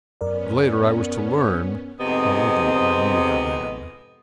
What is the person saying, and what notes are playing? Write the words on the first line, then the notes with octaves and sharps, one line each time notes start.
But later I was to learn how little I knew her then.
F#2 B3 C#4 A#4 D5
F2 G#2 C3 B3 D#5